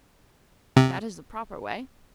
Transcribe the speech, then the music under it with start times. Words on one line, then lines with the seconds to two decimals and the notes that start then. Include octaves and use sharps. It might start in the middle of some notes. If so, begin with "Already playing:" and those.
"That is the proper way."
0.76 C3